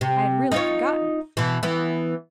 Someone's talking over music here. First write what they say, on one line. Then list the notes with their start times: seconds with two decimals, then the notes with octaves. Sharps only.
I had really forgotten.
0.01 C3
0.52 D#4 F4 C#5
1.37 B2 E3
1.63 E3 B3